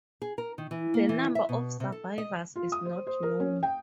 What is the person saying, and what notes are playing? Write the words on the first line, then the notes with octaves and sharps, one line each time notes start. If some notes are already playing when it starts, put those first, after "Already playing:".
The number of survivors is not known.
G#4
A#4
D#3
E3
A#3
E3
E5
B2
C3
A4
D#5
F4
D#6
C5
C5
A#4
C#4
G5